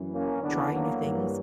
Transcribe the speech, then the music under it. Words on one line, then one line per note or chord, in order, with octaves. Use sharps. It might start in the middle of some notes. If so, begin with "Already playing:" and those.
trying new things
Already playing: F#2 E3
A#3 C#4
E2 D3 B3 D4
F#3 A#3
G2 E3